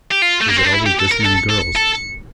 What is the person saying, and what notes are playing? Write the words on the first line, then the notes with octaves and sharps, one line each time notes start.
Is it always this many girls?
G4
F4
A3
A#3
C4
D4
E4
G4
A4
A#4
A4
A4
A4